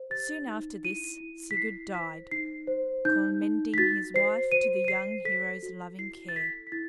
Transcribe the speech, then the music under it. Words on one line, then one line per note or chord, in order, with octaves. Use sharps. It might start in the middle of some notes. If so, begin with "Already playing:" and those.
Soon after this Sigurd died, commending his wife to the young hero's loving care.
Already playing: C5
G4 A6
D#4
E4 D#7
E4
B6
E4 C7
C5 B6
D#4 C7
C5
D#4 G6
D#4
B6
F#4 A6
C5 C7
C5 D#7
D#7
C5 C7
A4 B6
F#4
E4 C7
A6
A4 B6
B6
E4 A6